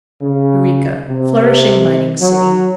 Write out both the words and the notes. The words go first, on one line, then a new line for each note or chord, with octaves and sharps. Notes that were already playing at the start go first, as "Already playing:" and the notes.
Yreka.--Flourishing mining city.
C#3
C3
F#3